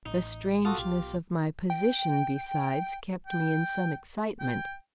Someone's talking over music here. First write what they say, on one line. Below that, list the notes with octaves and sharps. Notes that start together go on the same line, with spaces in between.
The strangeness of my position, besides, kept me in some excitement.
A1 D#4
F4 F#4 A4 D#6
B1 B2 G4
G5
G5
G5